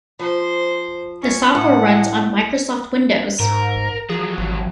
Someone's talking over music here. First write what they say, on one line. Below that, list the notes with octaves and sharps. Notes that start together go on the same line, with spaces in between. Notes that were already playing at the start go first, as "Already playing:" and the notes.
The software runs on Microsoft Windows.
F3 C5
C#4
A2 F#5
G#2 A#4
F3 F#3 G#4
G#1